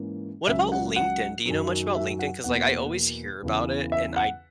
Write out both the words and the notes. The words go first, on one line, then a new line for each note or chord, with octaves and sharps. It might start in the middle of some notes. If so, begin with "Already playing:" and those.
what about LinkedIn? Do you know much about LinkedIn? 'Cause, like, I always hear about it, and I
Already playing: G#2 E3 A#3 C#4
C#2 C#3 F#3 C#4 E5
F#5
F#5
F#2 D#3 F#3
E5
F#5
E2 B2 A#3 F#5
E2 C#3 E3
E5
F#5